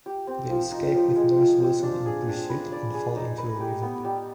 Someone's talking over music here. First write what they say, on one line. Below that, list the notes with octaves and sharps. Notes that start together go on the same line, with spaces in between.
They escape with Nurse Wilson in pursuit, and fall into a river.
G4
C4
F3
D#4
F3
G#3
F3
C4
D4
G#4
D4
B4
D5
G#4
D#4
B4
G4
B3
G3